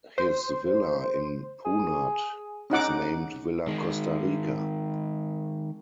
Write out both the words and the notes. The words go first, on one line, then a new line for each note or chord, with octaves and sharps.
His villa in Punat is named "Villa Costarica".
C5
G#4
C#4 D#4 F#5 D6
D#3 G#3